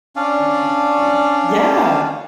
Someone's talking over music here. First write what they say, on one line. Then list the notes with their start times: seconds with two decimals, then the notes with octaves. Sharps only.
These are so fun. Yeah.
0.16 C#4 D4 D5 F5